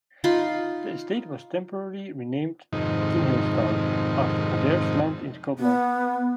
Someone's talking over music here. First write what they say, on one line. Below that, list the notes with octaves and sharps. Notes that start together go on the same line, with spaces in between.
The estate was temporarily renamed "Kinhilstown" after Adair's lands in Scotland.
D#4 F4 B5 C6
F2 G#2 C3 D#3 D#4
B3